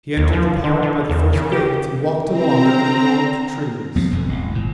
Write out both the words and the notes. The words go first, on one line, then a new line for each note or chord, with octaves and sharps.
He entered the Park by the first gate and walked along under the gaunt trees.
D#2
F3
D3
D3
E2
C#3
G4
C4 A#5
F2 B3 C4
E1 F2 D3
E1 A1 G#3
G#1 A#2